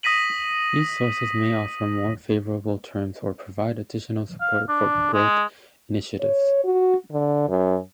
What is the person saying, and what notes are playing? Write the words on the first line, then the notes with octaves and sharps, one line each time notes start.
These sources may offer more favorable terms or provide additional support for growth initiatives.
D#6 A#6 B6 D#7 F#7
F5
D4
G#3
C#5
F#4
D3
F#2